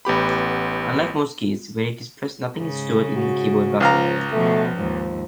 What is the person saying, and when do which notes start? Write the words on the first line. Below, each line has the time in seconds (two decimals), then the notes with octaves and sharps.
Unlike most keys, when it is pressed nothing is stored in the keyboard buffer.
0.05 A1 B3 G4 B5
2.56 G#2 C#3
3.17 F#4
3.80 C#2 F3 F5 A#5
4.32 B2 F3 A3
4.76 D#2 G#2 F3